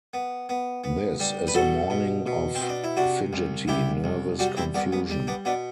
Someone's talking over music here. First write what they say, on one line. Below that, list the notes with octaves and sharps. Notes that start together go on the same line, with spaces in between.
This is a morning of fidgety, nervous confusion.
B3
B3
B3
G3
B4
B2 F#4 A4
B2
B2
C4
B2
D4
E4
C3 D4 F#4
C2
C2 E4 G4
C2
G3 D4 F#4
C4 E4
C2 B3 D4
B3
G3
B3 D4
B2 B3 D4